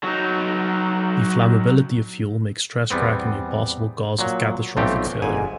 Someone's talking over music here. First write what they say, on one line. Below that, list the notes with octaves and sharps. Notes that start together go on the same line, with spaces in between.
The flammability of fuel makes stress cracking a possible cause of catastrophic failure.
F#3 D#4
E2 G3 B3 C4
A#2 F#3
B1 E3 F3 A3 C4 G4
G1 G#2 G#5